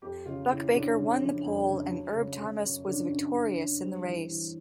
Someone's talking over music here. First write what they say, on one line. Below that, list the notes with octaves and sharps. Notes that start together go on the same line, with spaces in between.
Buck Baker won the pole and Herb Thomas was victorious in the race.
F2 G4
C#3 F4
C#3 E4
C#3 D4
C#3
F3
F2
C#3
F#3
C#3
C#3
F#2
C#3 D4
F#2
F#2
F#3
G3 C4
E3
E3